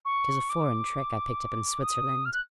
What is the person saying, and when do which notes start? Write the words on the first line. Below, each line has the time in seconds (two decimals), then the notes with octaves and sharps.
'Tis a foreign trick I picked up in Switzerland.
0.05 C#6
0.49 D6
1.81 D#6
2.25 F6
2.33 F#6